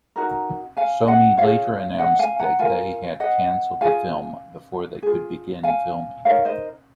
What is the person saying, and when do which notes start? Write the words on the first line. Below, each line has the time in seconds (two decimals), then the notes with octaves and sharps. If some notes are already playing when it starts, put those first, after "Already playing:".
Sony later announced that they had cancelled the film before they could begin filming.
0.16 D#4 F#4 A#4
0.77 F5 G#5
1.07 D#5 F#5
1.37 F4 G#4 C#5 F5
1.99 D#5 F#5
2.19 F5 G#5
2.39 F#5 A#5
2.59 F4 A#4 F5 G#5
3.20 D#5 F#5
3.81 F4 G#4 F5 G#5
5.03 F4 G#4
5.63 F5 G#5
6.25 D#4 A#4 C#5 F5
6.45 C5 D#5